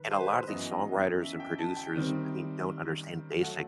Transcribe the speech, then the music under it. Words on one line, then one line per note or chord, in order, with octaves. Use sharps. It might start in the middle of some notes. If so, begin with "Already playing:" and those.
and a lotta these songwriters and producers, I mean, don't understand basic
Already playing: D#3 D#4 B4
C5
B4
C5
F#2 E3 B3 D#5
E5
G5
A5
G5
C3 D#3 G3 C4 D#4
F#3 A3 F#5